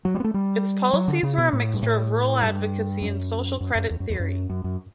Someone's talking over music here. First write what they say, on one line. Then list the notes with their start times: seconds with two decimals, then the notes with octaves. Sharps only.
Its policies were a mixture of rural advocacy and social credit theory.
0.05 F#3
0.15 G3
0.20 B3
0.24 A3
0.34 G3
0.93 F#3
1.08 D3
1.23 C#3
1.38 B2
1.53 A2
1.74 G2
1.83 A2
2.42 G2
3.01 F#2
3.61 F#2
3.75 F#2
3.91 E2
4.00 F#2
4.10 E2
4.20 F#2
4.50 F#2
4.64 F#2